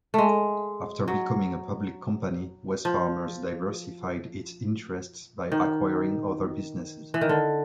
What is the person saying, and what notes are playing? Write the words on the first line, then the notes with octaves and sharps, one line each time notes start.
After becoming a public company, Wesfarmers diversified its interests by acquiring other businesses.
G#3 A3
F#3
F3
D#3
E3
D#3
D3